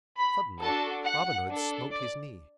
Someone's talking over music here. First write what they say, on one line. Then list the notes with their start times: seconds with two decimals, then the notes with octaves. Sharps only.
Suddenly Robin Hood smote his knee.
0.18 B5
0.61 D4 F#4 A4 A5
1.05 F#5
1.48 D4 A4
1.91 D5